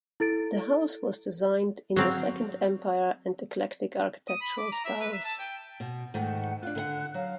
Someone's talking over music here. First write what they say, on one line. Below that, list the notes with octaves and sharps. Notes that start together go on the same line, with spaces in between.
The house was designed in the Second Empire and Eclectic architectural styles.
E4 A4 A6 D7
F#3 C4 F5
D#6
B5
D6
A#5
E5
B4
E5
A5
G5
B2
G#2 D#3 A3 F#5
D4 F4 F#6
D3 A#4 F#5
F#3 F5